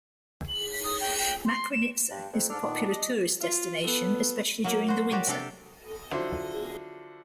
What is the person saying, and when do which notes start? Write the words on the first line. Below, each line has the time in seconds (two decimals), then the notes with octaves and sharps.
Makrinitsa is a popular tourist destination, especially during the winter.
0.49 F#7
0.72 B6
0.84 D#6
1.01 G5
1.18 G5
1.46 C6
1.72 E7
2.11 G2
2.33 F2
2.50 G#2 D4 A4 F6
2.62 A#2 D#3 B3
2.89 D#5
3.40 F4
3.84 B3 A4
4.64 F#3 A#3
4.88 F#4 C5
5.11 F#4 G4 C#5 D5
5.27 C3 D4 A4 F5 G5
6.12 D3 F3 F#3 E4 C5